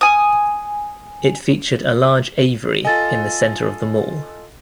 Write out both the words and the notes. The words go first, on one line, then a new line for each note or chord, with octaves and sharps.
It featured a large aviary in the centre of the mall.
G#5 D#6
F4 A4 D#5 G#5 A6